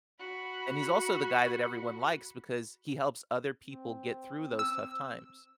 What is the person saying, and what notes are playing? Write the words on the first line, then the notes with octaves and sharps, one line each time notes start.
And he's also the guy that everyone likes, because he helps other people get through those tough times.
F#4 B5
C4
E6